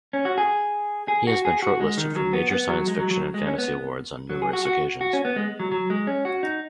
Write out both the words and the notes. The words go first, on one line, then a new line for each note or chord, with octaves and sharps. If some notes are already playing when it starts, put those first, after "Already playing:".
He has been shortlisted for major science fiction and fantasy awards on numerous occasions.
C#4
F#4
G#4
G#4
F#4
G#4
F#4
G#3
D#3
F#3
B3
B3
F#3
G#3
F#3
F#3
G#3
C#4
B3
F#3
G#4
F#4
F#4
F#4
C#4
B3
G#3
F#3
F#3
G#3
C#4
F#4
D#4